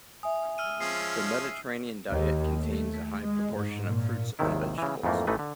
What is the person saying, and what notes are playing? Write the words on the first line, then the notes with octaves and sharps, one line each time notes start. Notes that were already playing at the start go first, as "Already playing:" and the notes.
The Mediterranean diet contains a high proportion of fruits and vegetables.
E5 G#5 D#6
E6 F6 D#7
F3 G#3 C#4 C7
D#2
A3
G#3
G#2
A#2
G#1 D#2 C3 D#3 E4
C#3 E3
F2 G#2 E3 A3 A#3
A1 E3 A3 D#4 B4
D3